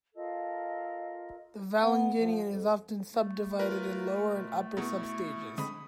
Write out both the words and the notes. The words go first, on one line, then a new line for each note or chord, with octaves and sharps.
The Valanginian is often subdivided in Lower and Upper substages.
F4 A4 A#4 D#5
B3
F3
F2
A3
F4 A#4 B4
B2 F4
B2 B3 E4 G#4 A#5 C#6
D3 G#3 C4 B5 D#6